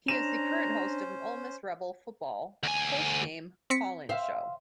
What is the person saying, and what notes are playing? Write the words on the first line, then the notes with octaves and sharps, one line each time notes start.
He is the current host of an Ole Miss Rebel football post-game call-in show.
C#4 D4 C5 A#5 E7
D2 G#5
C4 B6 C#7
C5 E5 F5